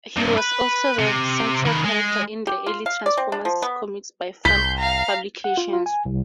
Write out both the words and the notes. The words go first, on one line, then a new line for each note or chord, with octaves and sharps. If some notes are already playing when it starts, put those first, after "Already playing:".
He was also the central character in the early Transformers comics by Fun Publications.
G2 C3
B4
C3
D#3 B4
G#3
G4
F4
F5
D5
C4
D4
F3
B3
C2 C6 G6 B6
F5 A#5
F#5
F4
F4
G#5
C2